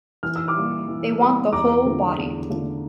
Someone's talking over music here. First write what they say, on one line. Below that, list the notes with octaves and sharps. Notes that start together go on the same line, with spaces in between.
They want the whole body.
E3 F6
E6
D6 F6
G3 A#3
E3
G3 A#3
E2 A#5 D6
D3 A3 D4 F4
E2
D3 A3 D4 F4